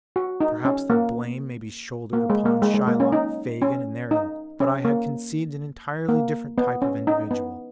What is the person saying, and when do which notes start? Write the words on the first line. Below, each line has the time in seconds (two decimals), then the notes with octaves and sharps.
Perhaps the blame may be shouldered upon Shylock, Fagin, and their ilk; but I had conceived an entirely different type of individual.
0.16 F#4
0.41 D#4
0.65 C#4
0.90 A#3
2.13 A#3
2.30 G#3
2.45 A#3
2.62 G#3
2.74 G#3
2.87 A#3
3.00 C#4
3.12 D#4
3.62 C#4
4.11 D#4
4.60 C#4
4.85 A#3
6.09 A#3
6.58 B3
6.82 C#4
7.07 D#4
7.31 B3